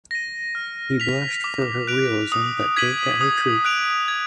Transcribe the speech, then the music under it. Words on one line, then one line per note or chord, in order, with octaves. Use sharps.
He blushed for her realism, but gaped at her truth.
A#6 D#7
F6
B6 F7
D6
F#6 D7 F7
D#6
G#6 B6 D#7 F#7
D#6
F#6 D7 F7
G#6